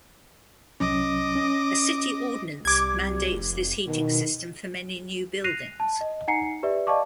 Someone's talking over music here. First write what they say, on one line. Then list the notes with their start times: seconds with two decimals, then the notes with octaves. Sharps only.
A city ordinance mandates this heating system for many new buildings.
0.80 C2 F#3 C#4 D#5 D6
1.35 C#4
2.65 C2 G3 D6 G#6
3.31 F1
3.87 B2 D#3
5.44 F#6 A#6 C7 D#7 F7
5.80 A5
6.01 D#5
6.28 D#4 F#5 G#5 A#5 C7 C#7
6.63 G4 B4 D5 E5
6.87 D5 D#5 F5 A5 C#6 D6